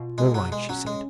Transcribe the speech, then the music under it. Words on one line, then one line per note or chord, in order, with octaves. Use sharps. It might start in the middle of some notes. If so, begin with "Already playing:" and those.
"All right," she said.
Already playing: B2 F4
G#3 G#4
F#3
B2
G#3
F#3 C#4
G#3